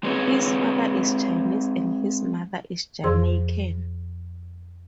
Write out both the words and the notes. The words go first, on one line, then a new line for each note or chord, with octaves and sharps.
His father is Chinese and his mother is Jamaican.
G#3 C4 G#4 B4 C#5
F2 F3 G#4 C5 C6 E6